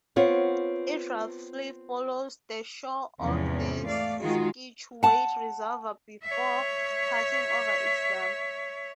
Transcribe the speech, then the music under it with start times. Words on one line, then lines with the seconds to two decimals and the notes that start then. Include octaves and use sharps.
It roughly follows the shore of the Scituate Reservoir before passing over its dam.
0.16 B3 C4 F4 C#5
3.21 E2 G#2 C3 F3 C#4
3.87 A3 D5 F5
4.21 D#3 G#3 F4 F#4 G#4
5.03 F#5 A5
6.23 C#5 E5